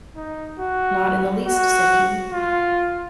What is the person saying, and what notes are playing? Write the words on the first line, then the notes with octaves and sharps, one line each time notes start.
"Not in the least," said he.
D#4
F#4
F#4
F4